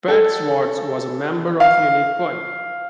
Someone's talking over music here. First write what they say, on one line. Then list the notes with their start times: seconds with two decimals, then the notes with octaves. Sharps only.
Wadsworth was a member of Unit One.
0.08 A4
1.60 F5